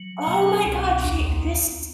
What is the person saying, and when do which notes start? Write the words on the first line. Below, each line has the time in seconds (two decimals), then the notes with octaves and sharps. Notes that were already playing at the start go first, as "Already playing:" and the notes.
Oh my god, she this is
Already playing: F#3
0.27 B2 A#3
0.42 C#4
0.53 C4
0.65 C2
0.79 C4
1.04 D#2 D4